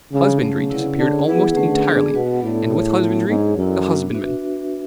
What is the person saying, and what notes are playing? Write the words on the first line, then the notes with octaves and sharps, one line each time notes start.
Husbandry disappeared almost entirely, and with husbandry the husbandman.
C#3 G#3 D4 A4 C#5
C#3 F#3 A3 C#4
C#4 E4 B4 D5 F#5
D3 C#4 G#4 C#5
E3 B3 E4 G#4 B4 F#5
D3 A3 C#4 G#4 B4 F#5
G#3 B3 D4 G#4
B2 B3 F#4 B4 F#5
A2 B3 D4 A4 D5
E4 G#4 C#5
F#3 B3 D4
G#2 G#3 D4 G#4 C#5
F#2 E4 A4 D5
B3 D4 F#4
D4 F#4 B4 E5